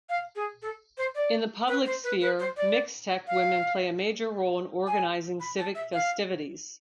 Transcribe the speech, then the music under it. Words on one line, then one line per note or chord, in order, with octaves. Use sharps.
In the public sphere, Mixtec women play a major role in organizing civic festivities.
F5
G#4
A4
C5
D5
B4
C5
B4
B4
C5
D5
F5
G#5
B5
A5
E5
F5